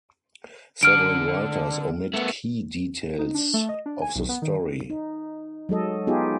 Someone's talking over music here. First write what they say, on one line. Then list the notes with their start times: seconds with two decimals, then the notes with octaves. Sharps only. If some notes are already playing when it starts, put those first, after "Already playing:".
Several writers omit key details of the story.
0.83 D3 F6 D7
2.14 A3 B3
3.19 D#4
3.34 D4
3.54 A3
3.69 D#5
3.86 D4
4.02 G#5
4.15 B1
4.29 B3
4.42 D#3
4.90 D#4
5.69 F#3 G#3 A4 D#5
6.07 B3 D#4 F4 G4 G#4